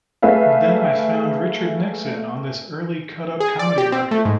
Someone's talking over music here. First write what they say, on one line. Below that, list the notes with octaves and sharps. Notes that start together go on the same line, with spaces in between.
Then I found Richard Nixon on this early cut-up comedy record.
A3 G#4 B4 E5 F5
G#4
D5
G4
C4
A3
G#2